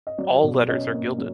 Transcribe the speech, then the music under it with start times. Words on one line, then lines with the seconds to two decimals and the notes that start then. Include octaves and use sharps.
All letters are gilded.
0.07 D#5
0.18 F#3 D5
0.43 B2
0.69 C#4 D#5
0.94 A#3
1.18 F#3